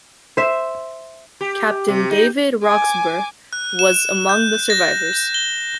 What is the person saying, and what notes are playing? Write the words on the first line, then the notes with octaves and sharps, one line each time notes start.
Captain David Roxburgh was among the survivors.
C5 E5
G4
C3
D#4
G#5 D6
F#6
E7
G6
A#6
G7